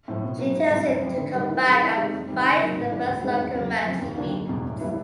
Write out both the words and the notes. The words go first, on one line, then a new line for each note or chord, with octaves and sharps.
She tells him to come back and fight the first local man he meets.
A2 F3
B2
F#3 B3
G#2
E3 G3 C4 E4
F1
F2 C3 F3
D3
G3 A#3 D#4
E3
G3 C4 D#4 G#4
E3
G#3 C4 D#4 G4
F1
F2 C3 D#3 G3
C#3
F#3 A#3 D#4
A1
G2 E3 A3 D4
D2
C3 D#3 G#3
E2
C#3 F#3
F#1
F2 C#3 F3
D#2
D3 F#3 B3 D4
F#1
E2 B2 G3
A2
E3 G3 B3 E4